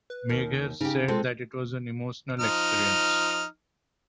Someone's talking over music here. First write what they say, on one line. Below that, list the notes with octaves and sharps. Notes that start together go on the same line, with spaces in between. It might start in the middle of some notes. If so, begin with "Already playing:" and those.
Meagher said that it was an emotional experience.
B4
D#2 A#4
C#3 D#4 G4
G#3 C4 F4 A4
F3 D#4 F6